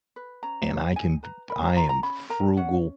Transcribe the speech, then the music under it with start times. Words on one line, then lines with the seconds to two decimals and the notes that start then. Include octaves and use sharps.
And I can p p I am frugal
0.16 B4
0.43 C#4 A#5
0.70 C#4
0.96 D#4 G#5
1.23 B4 A#5
1.50 A#4 B5
1.63 A#5
1.76 F4 A#5
1.89 A#5
2.03 C#4 B5
2.29 A#4 A#5
2.57 C#4 F#5